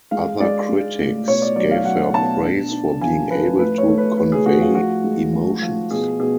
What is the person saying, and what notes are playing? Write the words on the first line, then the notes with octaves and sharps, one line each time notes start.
Other critics gave her praise for being able to convey emotions.
G#3 F5
G#3 D5
G#3
A2
B2 C#5
D5
F#3 D5
F5
F#3 F#5
B2 A5
D4
D4
F3 G#5
F3 B4
A2 B4
C#5
A3
B4
A3 B4
G#4
A2 F#4
F4
F3 F#4
G#3
F3
F3
B2 G#4
B2 G#4